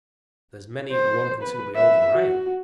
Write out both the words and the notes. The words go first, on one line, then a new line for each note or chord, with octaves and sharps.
"There's many a one considerably older than I am."
C5
B4
B4 E5
F#4